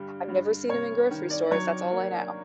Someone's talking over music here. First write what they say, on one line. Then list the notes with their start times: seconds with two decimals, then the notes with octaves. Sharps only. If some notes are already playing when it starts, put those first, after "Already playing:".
I've never seen 'em in grocery stores, that's all I know,
Already playing: G2 D3 G3
0.28 G2
0.69 C3 C#5
1.11 D#3
1.30 D5
1.51 F#3 C#5
1.92 A#3